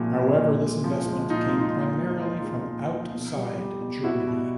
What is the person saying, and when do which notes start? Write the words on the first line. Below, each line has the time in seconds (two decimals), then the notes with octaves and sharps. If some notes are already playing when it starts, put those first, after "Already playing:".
However this investment came primarily from outside Germany.
Already playing: A#2 F3 G#3 E4 F#4
0.15 A#2
0.38 A#2
0.61 G#3
0.84 F3
1.06 G#3
1.29 A#2 D#4 F4
1.52 G#3
1.60 D#4
1.75 A#2
1.98 A#2
2.20 G#3 D#4 F4
2.43 G#3
2.67 A#2
2.89 F3
3.12 B2
3.35 G3
3.58 G3
3.81 B2
4.04 B2 E4 F#4
4.27 B2